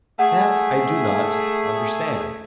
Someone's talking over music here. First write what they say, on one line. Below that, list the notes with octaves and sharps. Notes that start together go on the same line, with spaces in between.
That I do not... understand.
A3 G#4 F#5